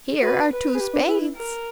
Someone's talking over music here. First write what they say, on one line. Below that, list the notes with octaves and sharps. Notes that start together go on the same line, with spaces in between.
Here are two spades.
F#4 B4
B4
G#4
G4
D4
E4
A#4